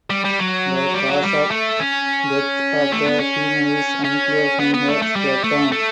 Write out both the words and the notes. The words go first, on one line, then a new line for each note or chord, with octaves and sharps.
The cause of death of the female is unclear from her skeleton.
G3
G3
F#3
G3
F#3
G3
A3
C#4
A3
B3
C#4
C#4
B3
B3
A3
A3
G3
A3
A3